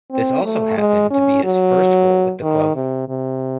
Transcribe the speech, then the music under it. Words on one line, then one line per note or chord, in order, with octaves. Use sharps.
This also happened to be his first goal with the club.
C4
A3
G#3
C#4
F#3
D#3
C3
C3